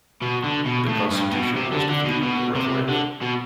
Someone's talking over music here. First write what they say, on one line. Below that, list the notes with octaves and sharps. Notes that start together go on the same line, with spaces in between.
The constitution was defeated in referendum.
B2
D3
B2
A2
G2
B2
C3
D3
D3
B2
B2
C3
D3
B2